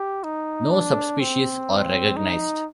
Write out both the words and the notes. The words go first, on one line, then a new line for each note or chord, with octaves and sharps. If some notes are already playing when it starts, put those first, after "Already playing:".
No subspecies are recognized.
Already playing: G4
D#4
D4
C4
D#4